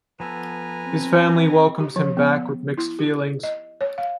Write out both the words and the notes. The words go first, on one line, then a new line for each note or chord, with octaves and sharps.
His family welcomes him back with mixed feelings.
F3 B3 A4 B4 G#5 A#5
C4
G4
F3
B3
E4
G4
D#5
C#5
F5